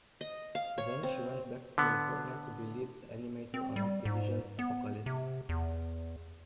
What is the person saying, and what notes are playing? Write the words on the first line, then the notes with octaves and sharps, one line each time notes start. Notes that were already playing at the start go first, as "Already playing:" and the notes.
Then she went back to California to be lead animator on Activision's "Apocalypse".
D#5
F5
C#5
C4
D3 B3
C4
G3
G#2
B3
C3
E2